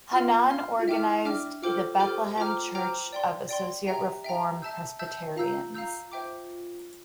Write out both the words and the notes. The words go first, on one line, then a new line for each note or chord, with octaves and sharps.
Hannan organized the Bethlehem Church of Associate Reform Presbyterians.
F4 F5 C6 F6
F5 C6 F6
F4
E4 E5 G5 D6 F6
D4 E5 G5 D6 F6
F4 A4 C5 G5 D6 F6
G4 A4 C5 G5 D6 F6
F4 C5 G5 A#5 D6 F6
C5 G5 A#5 D6 F6
D5 G5 C6
D5 G5 C6
G4 E5 G5 A#5
E5 G5 A#5
E5 A5 E6 G6
E5 A5 E6 G6
F4 F5 A#5 E6 G6
F5 A#5 E6 G6
C5 E5 G5 D6